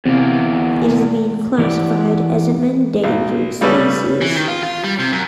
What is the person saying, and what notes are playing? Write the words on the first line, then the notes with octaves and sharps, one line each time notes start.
It has been classified as an endangered species.
E2 C3 A#3
E3 E4 G4 C#5 D5 F#5
B1
C#3 G3 A3 B3 C#4
E3
D#3
F4
F4
G3
C3
F#2